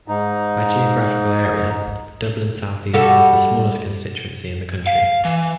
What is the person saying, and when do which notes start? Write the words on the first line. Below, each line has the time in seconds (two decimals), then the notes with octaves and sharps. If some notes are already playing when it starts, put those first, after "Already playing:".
By geographical area, Dublin South-East was the smallest constituency in the country.
0.08 G#2 D#4
2.93 G3 F#4 A4
4.87 F5
5.25 E3